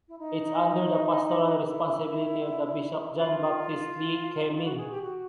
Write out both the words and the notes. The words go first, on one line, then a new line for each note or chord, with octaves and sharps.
It’s under the pastoral responsibility of the bishop John Baptist Lee Keh-mien.
E4
D#4
E4
E4
F4
F4
F#4
G#4
G4
F#4